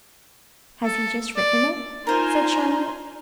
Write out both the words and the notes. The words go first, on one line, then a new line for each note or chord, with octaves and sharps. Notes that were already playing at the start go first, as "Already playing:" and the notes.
'Has he just written it?' said Charlotte.
A4
D5
D#4 F4 A#4 C5 G#5 A#5 C6